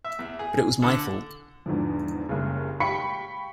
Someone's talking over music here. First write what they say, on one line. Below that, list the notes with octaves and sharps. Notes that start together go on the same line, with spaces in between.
But it was my fault.
E5
E2
G#4
D3
E2 G#2 D3 F3
F#1 C2 C#3
F5 G5 B5 C#6 B6 C#7